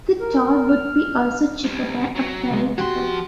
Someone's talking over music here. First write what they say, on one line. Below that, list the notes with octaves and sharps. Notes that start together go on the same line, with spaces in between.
The toll would be also cheaper than a ferry ticket.
A#4
F6
C2 C3
F#3
C3 G#3
F3 F#4 G4 C6